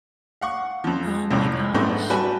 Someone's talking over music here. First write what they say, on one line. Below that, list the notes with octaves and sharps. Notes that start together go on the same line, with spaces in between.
Oh my gosh.
F5 F#5 C#6
F2 F3
C2 F2 A2
G#2 G3 A3 B3 C4 D4
G3 F#4 B4 G#5 A5